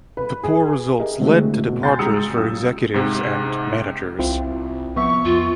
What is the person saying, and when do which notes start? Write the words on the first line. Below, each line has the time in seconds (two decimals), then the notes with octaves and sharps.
The poor results led to departures for executives and managers.
0.17 B4
0.43 G#4
0.99 G4 G#4 A#4 D#5 E5
1.20 D3 G#3 A3 C4 E4 F#4
1.68 B2
1.83 G#5 C6 G6 A6
1.99 C#3 G#3 A#5 D#6 E6 C#7
2.35 F#2 A#2 D#6 E6
2.94 G#2 C3
4.19 C2 C4 E4 F4
4.96 F3 B3 E5 C#6
5.25 F2 F4